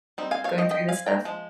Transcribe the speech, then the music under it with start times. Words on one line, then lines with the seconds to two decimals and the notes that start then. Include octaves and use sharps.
going through this stuff?
0.18 G3 C4 D#4
0.31 F5 G#5
0.44 C#5 F5
0.58 D#5 G5
0.71 D#5 G5
0.89 F5 G#5
1.06 G5 A#5
1.25 F3 G#3